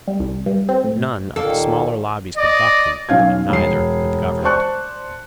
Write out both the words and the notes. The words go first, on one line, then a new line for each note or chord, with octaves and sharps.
None of the smaller lobbies could buck them, and neither could the government.
G3
C2
G2
C4
A2
D#2 A#2 D#3 A#3 A4
D5 D#5
B1 C#4 F5 G#6
E1 C7
C5 D5 A5 C#6 F#6